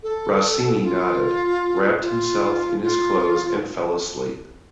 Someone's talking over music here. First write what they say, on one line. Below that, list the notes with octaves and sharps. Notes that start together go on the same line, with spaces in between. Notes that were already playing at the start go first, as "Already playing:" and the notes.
Rossini nodded, wrapped himself in his clothes and fell asleep.
A4
F4
F4
F4